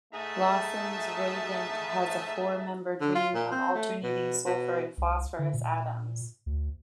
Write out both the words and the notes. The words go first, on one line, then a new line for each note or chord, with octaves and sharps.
Lawesson's reagent has a four membered ring of alternating sulfur and phosphorus atoms.
G#2 A3 D#4 G#4 E5 A5
D3
F4
A#2
C4
A3
B2
B2
C2
D3
A#2
D2